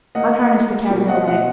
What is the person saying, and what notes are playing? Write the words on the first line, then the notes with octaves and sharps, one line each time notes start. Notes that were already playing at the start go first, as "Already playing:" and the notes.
Unharness the cabriolet.
A#3 D#5 F#5
D#5 F#5
A#3
B2
D#5 F#5
B2 D#5 F#5